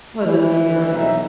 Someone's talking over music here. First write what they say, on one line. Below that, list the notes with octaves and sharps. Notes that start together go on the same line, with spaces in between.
We the, I never read it, yeah.
E3
B1 D#4 E5